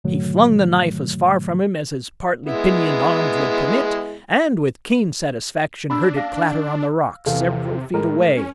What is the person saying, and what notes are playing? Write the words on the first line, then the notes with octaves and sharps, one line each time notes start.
He flung the knife as far from him as his partly pinioned arms would permit, and, with keen satisfaction, heard it clatter on the rocks several feet away.
G#2 B2 D3 D#3 F#3 A3
G#3 B3 E4
D4 B5 E6
F5 A#6
E2 C3 A4 F5
A2 G#3 A#4
C#4